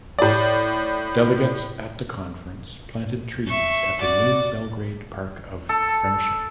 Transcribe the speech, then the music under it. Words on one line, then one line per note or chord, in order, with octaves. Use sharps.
Delegates at the conference planted trees at the New Belgrade Park of Friendship.
A2 D5
E5 C#6
F#4 D5
A4